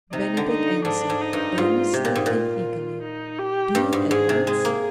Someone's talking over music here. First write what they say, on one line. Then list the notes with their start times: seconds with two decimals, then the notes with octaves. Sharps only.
Bennydeck answered, earnestly and eagerly: "Do it at once!"
0.12 C3 D#4
0.37 D3
0.49 D#4
0.85 G#2 D4
1.10 G#2
1.21 D#4
1.33 G2
1.57 G#2 F4
1.94 C3 G4
2.05 A#2
2.15 G#2
2.26 A#2 F4
3.02 D#4
3.39 G4
3.75 G2
3.93 G#2
4.10 G#2 G#4
4.29 C3
4.47 G#3 G#4
4.65 A#3